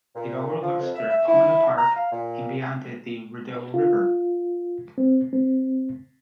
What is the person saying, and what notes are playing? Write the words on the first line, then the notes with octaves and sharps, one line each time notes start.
It overlooks Strathcona Park and beyond it the Rideau River.
A#2
F3
F2
E5
E5
E4
A#5
F5
A#2
F4
C4
C4